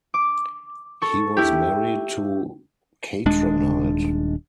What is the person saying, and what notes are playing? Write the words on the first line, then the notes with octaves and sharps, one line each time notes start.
He was married to Katranide.
D6
A4 C#6
E4 G4
D#1 G#3 D4